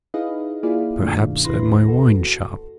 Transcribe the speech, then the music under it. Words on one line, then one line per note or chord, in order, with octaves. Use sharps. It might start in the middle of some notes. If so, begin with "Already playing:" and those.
"Perhaps at my wine-shop?"
D#4 E4 G#4 B4 D#5 F5
A#3 E4 F4 G#4 D5 F5
G2 B2 D#3 A3 D4
D#2 E4 B4 C6 A#6
F#4 A4